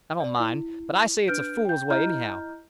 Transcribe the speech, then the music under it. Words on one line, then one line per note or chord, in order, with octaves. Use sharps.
I don't mind; but I say it's a fool way, anyhow.
D5
E4
D4 B4 F6 G6 D7
G5 G6
E4 D#5 A#5 F6 G6